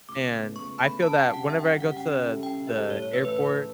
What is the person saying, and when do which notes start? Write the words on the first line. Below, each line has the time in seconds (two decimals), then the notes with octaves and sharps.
And I feel that whenever I go to the airport,
0.09 C#2 D6
0.32 B2 A3 C#4
0.55 C#2 C#6
0.78 B2 A3 C#4 B5
1.02 F#2 A5
1.14 A5
1.18 G5
1.26 C#3 G3
1.34 F#5
1.49 F#2 E5
1.59 G5
1.65 F#5
1.73 C#3 G3
1.80 F#5
1.91 F#5
1.96 C#3 G5
2.19 G3 C#4 E4 A4
2.43 C#3 G5
2.67 G3 C#4 E4 A4 E5
2.90 A2 C#5
3.02 C#5
3.13 E3 A3 B4
3.25 B4
3.37 A2 B4